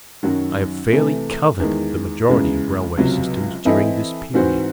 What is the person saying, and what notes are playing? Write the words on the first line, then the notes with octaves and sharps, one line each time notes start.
I have fairly covered the majority of railway systems during this period.
F#2 D#3 F#3 C#4 F#4
C3 E3 A3
E2 D#3 G#3
E2 C#3 G#3
C#2 C3 F#3
E3 C4 E4 A4 D#5
G#2 E3 C4 F#4 C5